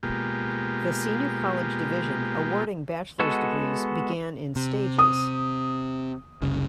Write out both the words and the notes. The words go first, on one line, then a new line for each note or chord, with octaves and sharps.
The Senior College division awarding bachelor's degrees began in stages.
B2 G#3 A#3 F4 G4
G#3 B3 F#4 A4
C3
D#6
F#1 C2 C#3